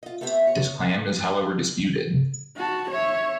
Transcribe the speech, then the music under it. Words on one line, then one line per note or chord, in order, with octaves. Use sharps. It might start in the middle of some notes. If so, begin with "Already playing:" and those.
This claim is however disputed.
F4 D#5
A3 B3 C4 G4 E5
C#5
F#4 A5
C#5 E5